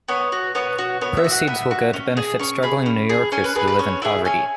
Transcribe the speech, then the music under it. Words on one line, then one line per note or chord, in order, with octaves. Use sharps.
Proceeds will go to benefit struggling New Yorkers who live in poverty.
B3 C#5
F#4
B3 C#5
F#4
B3 C#5
E5
F#4
F#5
B3 E5
F#4
C#4
G#4
C#4 C#6
G#4 B5
C#4
G#4
C#4 G#5
B4
G#4 B4
B4
C#4 C#5
E4 G#4 E5
C#4 G#5